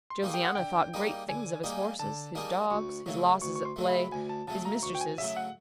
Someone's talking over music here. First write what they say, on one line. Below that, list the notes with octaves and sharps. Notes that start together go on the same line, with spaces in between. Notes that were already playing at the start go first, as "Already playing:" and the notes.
Josiana thought great things of his horses, his dogs, his losses at play, his mistresses.
C6
G3 A#3 D#4 G#4
G5
F#5
D3 G5
G3 A#3 D#4 G#4
D3 G#5
G3 A#3 D#4 G#4
D3 A5
G3 A#3 D#4 G#4
D2 C#6
C#3 F#3 A3
D2 C#6
C#6
C6
C#3 F#3 A3
B5
D2 G#5
A5
C#3 F#3 A3 A5
A#5
D2 C#6
G5
G#5
C#3 F#3 A3 E5
F#5